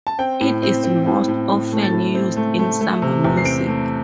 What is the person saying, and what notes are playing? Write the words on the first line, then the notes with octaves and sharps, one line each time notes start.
It is most often used in samba music.
A5
C4 G5
A2
C4
C4
A2
A2
A2
A3
A6
A2
C4
A3
A3
A3
C3
E2
C7
C4 D7
A3